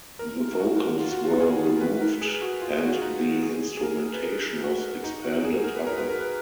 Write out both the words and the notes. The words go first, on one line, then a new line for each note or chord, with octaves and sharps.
The vocals were removed and the instrumentation was expanded upon.
A#4
F#4
F4
F#4
F4
G#4
A#4
B4
A#4
G#4
F#4
F4
G#4
F#4
F4
D#4
G#4
G#4
A#4
B4
A#4
F#4
D#4
F#4
G#4
A#4
B4
A#4
B4
A#4
B4